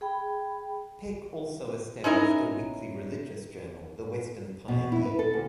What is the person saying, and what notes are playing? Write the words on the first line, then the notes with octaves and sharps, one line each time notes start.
Peck also established a weekly religious journal, the Western Pioneer.
G#4 G5 B5
C#4 D#4 E4 A#4
B2
E4
B4
A4
D2